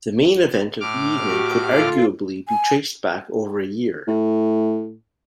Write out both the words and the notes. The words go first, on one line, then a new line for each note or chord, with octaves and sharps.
The main event of the evening could arguably be traced back over a year.
A2 D6 F6
F#4 G4
F4 A4
G#5
A2